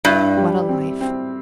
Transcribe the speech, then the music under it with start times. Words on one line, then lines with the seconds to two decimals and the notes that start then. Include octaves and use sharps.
What a life!
0.05 G2 E4
0.37 G3
0.69 C4
1.01 C4